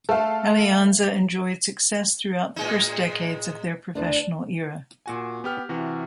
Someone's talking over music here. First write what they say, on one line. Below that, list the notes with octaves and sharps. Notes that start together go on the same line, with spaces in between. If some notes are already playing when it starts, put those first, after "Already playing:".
Alianza enjoyed success throughout the first decades of their professional era.
A3 A4 F5
A2 G#3 D#4
D2 D4
A#2 F#4 G#5
B3 G4 F6
C3 E3 F#4